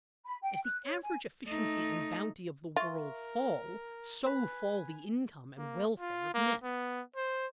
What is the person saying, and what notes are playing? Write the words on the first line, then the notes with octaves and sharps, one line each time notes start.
As the average efficiency and bounty of the world fall, so fall the income and welfare of men.
B5
G5
F#6
C#5
G#5
A3 D#4
F4 A#4 E5 C#6
B4 G#5
A#3
F4
A#3
B3
C5